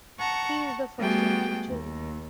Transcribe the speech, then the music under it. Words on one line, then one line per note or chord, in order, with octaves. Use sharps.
He is the first of three children.
F#5 A5 A#5 C#6
G3 A3 B3 F#4 G#4 G5
D#2